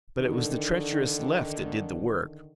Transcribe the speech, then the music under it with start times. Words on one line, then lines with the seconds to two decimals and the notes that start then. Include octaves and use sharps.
But it was the treacherous left that did the work.
0.18 D3 D#3